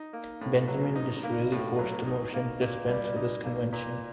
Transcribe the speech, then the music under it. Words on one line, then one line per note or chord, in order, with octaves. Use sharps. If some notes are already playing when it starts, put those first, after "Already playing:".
Benjamin Disraeli forced a motion to dispense with this convention.
Already playing: D#4
A#3
A2
F#3
D#4
A#3
A2
F#3
D#4
A#3
A#2
G3
D#4
A#3
A#2